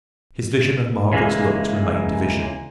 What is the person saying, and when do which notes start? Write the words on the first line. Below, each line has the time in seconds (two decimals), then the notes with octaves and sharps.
His vision of Margaret's looks remained a vision.
1.13 C#3 E3 G#3 A#3